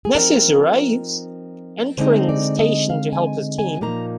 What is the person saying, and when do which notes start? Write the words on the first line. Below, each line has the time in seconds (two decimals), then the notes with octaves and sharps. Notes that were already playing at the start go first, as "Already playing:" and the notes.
Nessus arrives, entering the station to help his team.
0.05 G#4
0.15 F3 C4 D#4 A#4
1.98 D3 G#3 C4 D#4 C5
2.29 D5
2.59 D#5
2.90 F5
3.13 G#5
3.58 G#5
3.81 A#2 F3 A#3 D#4 A#5